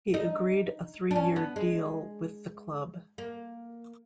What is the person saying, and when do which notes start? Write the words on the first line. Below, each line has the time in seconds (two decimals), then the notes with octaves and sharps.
He agreed a three-year deal with the club.
0.14 D#4
1.11 D4
1.16 C#4
1.36 B3
1.56 G#3
3.18 A#3